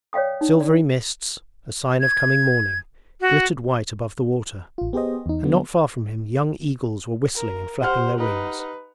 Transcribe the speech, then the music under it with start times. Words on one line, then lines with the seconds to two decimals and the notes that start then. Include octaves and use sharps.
Silvery mists, a sign of coming morning, glittered white above the water, and not far from him young eagles were whistling and flapping their wings.
0.13 C#5 D5 F5 G5 D#6
0.41 D#4
0.60 D5
2.01 G#6
3.21 F#4
4.78 A1 F4
4.93 B3 G4 G#4 C5 D#5
5.26 E2 D#4
5.44 D3 F#3 B3
7.36 A#4
7.82 G4 C5 F#5 F6
8.18 D#4 B4